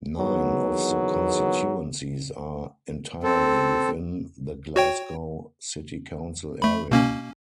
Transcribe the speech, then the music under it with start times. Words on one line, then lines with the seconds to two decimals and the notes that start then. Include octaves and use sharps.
Nine of the constituencies are entirely within the Glasgow City council area.
0.19 E2 D#3 F#3 B3 G#4
3.23 C4 A4
4.76 F#4 C#5 G5
6.62 A3 B5
6.91 B2 A#3 C#4